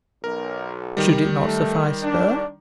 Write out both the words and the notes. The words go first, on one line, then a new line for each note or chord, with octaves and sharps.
Should it not suffice her?
B1 A#4
D#3 G3
A3
D4